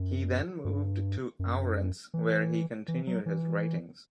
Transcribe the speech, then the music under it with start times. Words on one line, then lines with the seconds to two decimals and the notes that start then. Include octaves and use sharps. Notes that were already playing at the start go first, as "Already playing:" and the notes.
He then moved to Ourense where he continued his writings.
Already playing: F#2
0.65 G2
1.39 F#2
2.14 E3
2.88 E3
3.07 F#3
3.26 E3